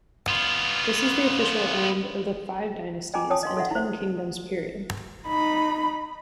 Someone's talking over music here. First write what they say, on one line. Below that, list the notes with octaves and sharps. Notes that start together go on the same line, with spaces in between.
This is the official end of the Five Dynasties and Ten Kingdoms period.
B3 F4
D#5 G5 G#5 A#5 D6
C#5 F5 G5 A5 D#6
D#5 F5 C6
A4 D#5 E5 F#5
E4 C5
D#4 B5